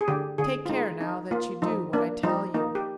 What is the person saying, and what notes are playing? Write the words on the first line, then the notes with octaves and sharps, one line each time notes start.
Take care now that you do what I tell you.
G#4
D3 G4
D3 G#4
F4
G#3 D#4
C4 D#4
A#3 F4
F3 D#4
A#3 D4
F3 D#4
A#3 D#4
G4